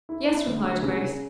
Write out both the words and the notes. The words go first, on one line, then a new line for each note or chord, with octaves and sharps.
"Yes," replied Grace.
E4
E4
D2
D2
C#3
C#3